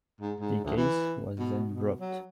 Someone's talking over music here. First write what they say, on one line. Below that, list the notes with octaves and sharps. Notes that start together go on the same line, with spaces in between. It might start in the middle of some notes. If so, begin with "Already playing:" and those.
The case was then dropped.
G#2
G#2
D2
E3
B2
B2
F#3